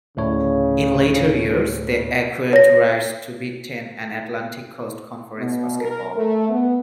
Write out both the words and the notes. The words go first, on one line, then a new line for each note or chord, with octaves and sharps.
In later years, they acquired rights to Big Ten and Atlantic Coast Conference basketball.
D2 A2 C#3 C#5
C#5 A#6
B2
A#4
A3
B3